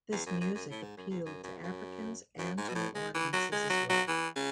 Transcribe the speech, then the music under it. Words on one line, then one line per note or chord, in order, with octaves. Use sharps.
This music appealed to Africans and to new audiences as well.
E2
F#2
F#2
F#2
A2
G#2
F#2
E2
F#2
F#2
E2
F#2
F#2
G#2
B2
A2
G#3
E3
F#3
G#3
F#3
F#3
E3
C#3